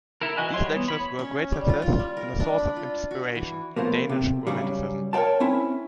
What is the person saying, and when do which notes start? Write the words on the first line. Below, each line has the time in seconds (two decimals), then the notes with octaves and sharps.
These lectures were a great success and a source of inspiration in Danish romanticism.
0.21 E4 A4 A#4
0.37 E3 F#4 D#5 G#5 F#6
0.54 G3 C#5 C6
0.73 E3 B3
0.88 C#5 B5
1.19 C#4
1.52 G3
1.69 F4
1.82 F4
1.99 G3
2.17 A#4
2.40 D4
2.59 B5
2.76 F4
3.11 F#4
3.35 E3
3.76 B2 F3 A3 A#3
4.09 C3
4.47 G2 C#3 F#3 G3
5.13 A#4 C#5 D5 G5 A5
5.40 C4 C#4 E4